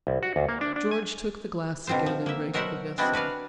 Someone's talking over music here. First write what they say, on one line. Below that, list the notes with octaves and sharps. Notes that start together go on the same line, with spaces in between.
George took the glass again and raked the vessel.
C2
F#4
D2
A#3
D4
D4
G#5
B2 D3 C4 F4 C5
F3
A#3 E5
B2 F#3 A#4 C5 E5 F#5
G#3 B3 C4 D4 E4 F#4
F#4 B4 D5 F5